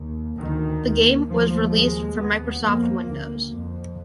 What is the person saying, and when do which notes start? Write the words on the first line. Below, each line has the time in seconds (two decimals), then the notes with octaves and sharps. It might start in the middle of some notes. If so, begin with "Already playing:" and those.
The game was released for Microsoft Windows.
Already playing: D#2
0.38 D2 D#3
0.83 D#2
1.28 D#2 F3
1.72 D#2 G#3
2.17 D#2 B3
2.62 F2 A#3
3.07 D2
3.52 F2